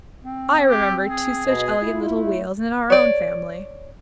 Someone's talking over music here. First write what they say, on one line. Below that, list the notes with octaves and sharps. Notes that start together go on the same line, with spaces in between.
I remember two such elegant little wheels in our own family.
C4
G4
G#4
B2 D#5
E4 F4
A3
C#5 D5